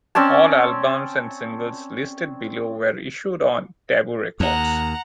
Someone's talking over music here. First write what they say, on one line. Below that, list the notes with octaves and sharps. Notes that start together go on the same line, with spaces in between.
All albums and singles listed below were issued on Tabu Records.
C4 C#4 D5 A5
D#2 F#5 A#5